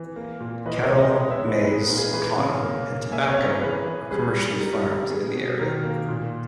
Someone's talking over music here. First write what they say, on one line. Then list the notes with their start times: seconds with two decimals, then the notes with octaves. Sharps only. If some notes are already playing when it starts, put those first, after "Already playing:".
Cattle, maize, cotton and tobacco are commercially farmed in the area.
Already playing: E3
0.16 A#3
0.40 A#2
0.66 E3 B4 D#5
0.82 A#4 C#5
0.90 G#3
0.98 B4 D#5
1.15 B3 D#5 G5
1.31 C#5 E5
1.40 E3
1.48 B4 D#5
1.64 B3 G#4 B4
1.81 A#4
1.90 A#2
1.97 G#4 B4
2.13 E3 G#4 B4
2.38 C#3
2.63 A#3
2.87 A#3
3.12 A#3 E5 G#5
3.28 C#5 E5
3.37 C#4
3.45 A#4 C#5
3.61 E3 G#4 B4
3.86 E3
4.11 G3 G#4 B4
4.36 G3
4.60 G3 A#4
4.85 G3
5.09 B3 G#4
5.35 B2
5.59 D#3 A#4
5.84 A#3
6.08 A#2